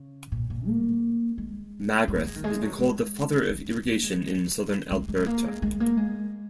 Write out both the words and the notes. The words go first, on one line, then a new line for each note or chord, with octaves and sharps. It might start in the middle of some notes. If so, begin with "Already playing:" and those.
Magrath has been called "The Father of Irrigation in Southern Alberta".
Already playing: C#3
A#2
A#2
A#3
G#3
G#3
A#3
G#3
D#3
G#3
F#3
G#3
G#3
A#3
G#3
G#3
G#3
A#3
G#3
G#3
A#3
G#3